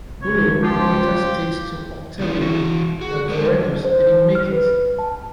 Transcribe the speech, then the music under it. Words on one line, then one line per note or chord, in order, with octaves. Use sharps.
Pullo later states to Octavian that Vorenus didn't make it.
C#2 C#5
F3 F4 G4
C#3 F3 B3 E4
E3 F#4
F#4 G#4
G#3 A#4 C5 D5
C5
F6
B4
A5